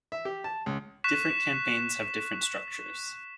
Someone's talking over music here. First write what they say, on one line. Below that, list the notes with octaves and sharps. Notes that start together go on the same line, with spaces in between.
Different campaigns have different structures.
E5
G4
A5
C#2
C#6 F#6 B6 E7